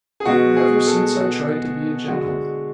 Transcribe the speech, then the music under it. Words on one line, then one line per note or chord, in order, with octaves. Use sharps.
"Ever since I tried to be a gentleman."
G#4
B2 G#3 F#4
G#4
A4
B2 G#3
D3 G#3 F#4